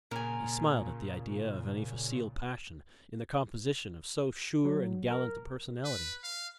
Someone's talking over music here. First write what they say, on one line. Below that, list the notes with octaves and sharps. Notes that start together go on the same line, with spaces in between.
He smiled at the idea of any facile passion in the composition of so sure and gallant a personality.
A#2 C#3 A#4 G#5
F#3
A#4
B4
F5